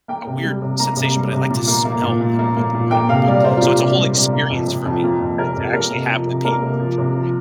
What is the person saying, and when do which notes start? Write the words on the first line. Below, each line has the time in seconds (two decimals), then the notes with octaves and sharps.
a weird sensation, but I like to smell, like, what what a new book So, it's a whole experience for me, that to actually have the pages in front of me.
0.08 A#3 G5
0.27 C3
0.43 G3
0.62 C3
0.79 A#3 A#5
0.97 C3
1.15 G3
1.32 C3
1.50 A#2
1.68 A#3
1.85 A#3
2.03 A#2
2.20 A#2
2.39 A#3
2.57 A#3
2.74 A#2
2.91 A#3 G5
3.09 C3 F5
3.26 G3 D5
3.44 C3 C5
3.57 F4
3.62 A#3 G4
3.79 C3
3.97 G3
4.15 C3
4.33 A#3
4.50 F2
4.68 C3
4.85 F2
5.03 A#3 F4
5.21 F2
5.38 C3 A#4
5.56 F2
5.65 G4
5.74 A#3 A#4
5.92 C3
6.10 F3
6.27 C3
6.45 A#3 A#4
6.63 C3
6.80 F3
6.98 C3
7.15 F3